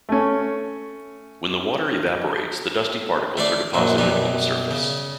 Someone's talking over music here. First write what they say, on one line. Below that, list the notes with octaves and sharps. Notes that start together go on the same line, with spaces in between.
When the water evaporates, the dusty particles are deposited on the surface.
A3 C#4
A3 C5 D5
A#1 F#2 F#3
F#2 B2 G3
C#3